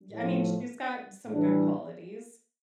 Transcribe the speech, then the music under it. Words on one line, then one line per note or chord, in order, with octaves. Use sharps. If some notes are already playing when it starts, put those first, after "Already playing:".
I mean, she's got some good qualities.
A2 F3 A3
A2 E3 G3 D4